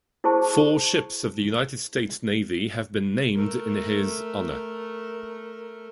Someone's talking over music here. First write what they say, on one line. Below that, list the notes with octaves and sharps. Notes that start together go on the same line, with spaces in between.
Four ships of the United States Navy have been named in his honor.
E4 G#4 C5 A5 C#6
A3 A#4